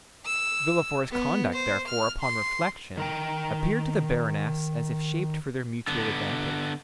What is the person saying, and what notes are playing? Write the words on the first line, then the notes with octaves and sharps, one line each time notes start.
Villefort's conduct, therefore, upon reflection, appeared to the baroness as if shaped for their mutual advantage.
E6
B3
C5
F6
C6
D#3 A#4 G5
D3 B3